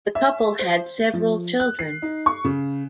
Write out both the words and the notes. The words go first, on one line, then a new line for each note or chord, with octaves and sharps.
The couple had several children.
E5
C5
F3
F#6
C7
D#4
C#6
C#3